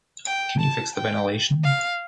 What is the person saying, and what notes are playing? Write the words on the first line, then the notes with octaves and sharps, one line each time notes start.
Can you fix the ventilation?
G5
A5
G5
F5